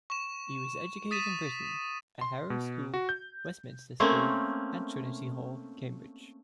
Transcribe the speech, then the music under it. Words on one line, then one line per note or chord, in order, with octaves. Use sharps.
He was educated in Britain, at Harrow School, Westminster School, and Trinity Hall, Cambridge.
C#6 E7
D#6 A6 B6 D#7 E7
C6
B2
F#4
G6
A3 A#3 C4 C#4